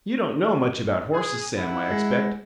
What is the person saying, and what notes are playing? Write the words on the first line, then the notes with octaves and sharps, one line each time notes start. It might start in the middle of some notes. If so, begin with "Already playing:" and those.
You don't know much about horses, Sam, I expect.
G#4
E4 F#5
G#3